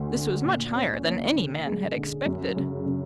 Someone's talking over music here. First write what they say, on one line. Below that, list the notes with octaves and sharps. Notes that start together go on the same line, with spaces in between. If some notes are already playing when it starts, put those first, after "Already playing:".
This was much higher than any man had expected.
Already playing: D2 A3
D3
A#2
C#4
A#3
D3
G#3
D3
F#2
C#3
C#3